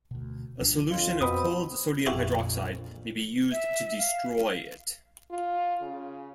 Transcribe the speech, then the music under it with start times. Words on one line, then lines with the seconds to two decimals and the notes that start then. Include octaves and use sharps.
A solution of cold sodium hydroxide may be used to destroy it.
0.11 D2 B2
0.60 C#2 F3 D4
0.90 F2 F4
1.21 F2 B2 C4 B5 D#6
2.06 A#1 F2 A#2 E4 F#4 G4
3.52 E5
3.98 F5
5.31 F4
5.82 C#3